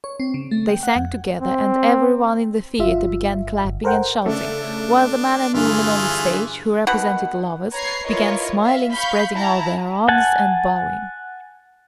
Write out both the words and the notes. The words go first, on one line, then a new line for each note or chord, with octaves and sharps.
They sang together and everyone in the theater began clapping and shouting, while the man and woman on the stage--who represented lovers-- began smiling, spreading out their arms, and bowing.
C#5
C4
C#3
A3
G5
F#5
F2
C4
G1 G2 F4 E5
G1
A4 A#4 C5 F#5 G5
C#3 A3 D4 A4
G2 D3 E3 F4 G#4
B2 D#3 F#5 B5
B4 C#5 A#5 G#6 C7
E4 F4 A#4 B4 C#5 D#5
E5 F5
F5 B5 C#6 G6 B6
E4 F#5 A5 A#5
F#5 G#5 A5